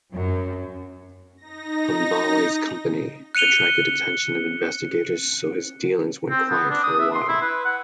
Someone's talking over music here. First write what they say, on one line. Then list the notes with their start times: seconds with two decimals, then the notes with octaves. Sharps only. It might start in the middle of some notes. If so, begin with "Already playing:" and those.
Hambali's company attracted attention of investigators so his dealings went quiet for a while.
0.14 F#2
1.37 D#4 A#6
3.35 F#6 C#7 D#7 F7 G7
6.30 C4
6.49 B3
6.70 D4
6.83 D#6
7.00 E5
7.14 C6
7.29 E4
7.42 B4
7.65 F#5